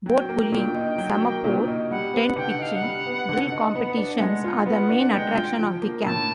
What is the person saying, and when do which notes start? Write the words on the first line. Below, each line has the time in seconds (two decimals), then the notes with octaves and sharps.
Boat pulling, semaphore, tent pitching, drill competitions are the main attraction of the camp.
0.06 F#3 G5
0.29 A#3
0.52 A#2 G5
0.75 D#4
0.98 F#3
1.22 A#3
1.44 A#2
1.68 D#4
1.91 G3 F#5
2.14 B3
2.36 D3 G5
2.50 F#5
2.59 D#4 F5
2.74 F#5
2.83 G3
3.06 B3
3.29 D3
3.52 D#4
3.75 B3 F#5
3.97 D4
4.21 G#3
4.44 F4
4.66 B3 F#5
4.90 D4
5.13 G#3 G5
5.35 F4
5.59 F3
5.82 A#3
6.05 A2 A5